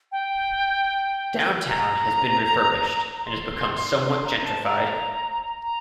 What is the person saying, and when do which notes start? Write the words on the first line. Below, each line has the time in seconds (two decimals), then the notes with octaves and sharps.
Downtown has been refurbished and has become somewhat gentrified.
0.12 G5
1.68 A#5
3.17 A#5
3.25 C6
4.04 C6
4.24 A#5
4.38 A#5
4.44 A5
4.64 A#5
5.62 A#5